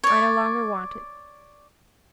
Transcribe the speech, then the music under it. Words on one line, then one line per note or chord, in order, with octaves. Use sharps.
I no longer want it.
C#5 D5